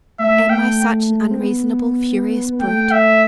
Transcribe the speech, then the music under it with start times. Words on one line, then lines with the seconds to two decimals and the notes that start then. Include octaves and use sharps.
Am I such an unreasonable, furious brute?
0.19 A3 E5
0.50 G5
1.31 C4
1.40 B3
2.52 B3
2.61 A3 G5
2.91 E5